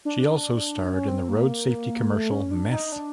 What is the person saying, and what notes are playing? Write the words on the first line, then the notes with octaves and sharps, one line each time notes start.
She also starred in the Road Safety commercial 'Mess'.
D4
C#4
C4
A#3
A3
C#4
D4
D#4
D4